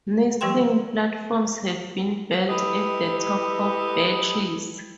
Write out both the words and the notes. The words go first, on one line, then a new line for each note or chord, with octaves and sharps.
Nesting platforms have been built at the top of bare trees.
F3 G3 G4 B4 G5 C6
E4 G4 A4 B4 D#5